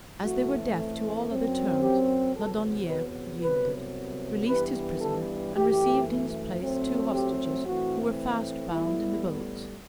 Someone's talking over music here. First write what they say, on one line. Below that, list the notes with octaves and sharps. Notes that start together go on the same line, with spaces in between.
As they were deaf to all other terms, Laudonniere yielded, released his prisoner, and received in his place two hostages, who were fast bound in the boats.
A2 E3 A3 C4 F#4
F#2 F#3 C4
G4
E2 C3 F#3 B3 A4
B4
C2 C3 F#3 B3 B4
G2 E3 G3 B3 B4
A4
F#2 E3 A3 G4
A2 F#3 A3 C4
G4
A2 E3 A3 C4 F#4
A2 G3 B3 E4